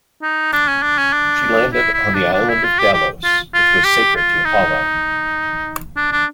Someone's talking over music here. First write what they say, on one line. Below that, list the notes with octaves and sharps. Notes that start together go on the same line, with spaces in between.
She landed on the island of Delos, which was sacred to Apollo.
D#4
D4
C#4
D4
C#4
D4
E4
E4
D4
D4
E4
F4
G4
G4
F4
F4
G4
F4
D#4
D4
D4